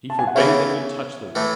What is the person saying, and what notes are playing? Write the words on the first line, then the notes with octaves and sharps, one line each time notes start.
He forbade them to touch the wolf.
A5
G#5
F#5
C#3 E3 B3 C#5 E5
A2 E3 A3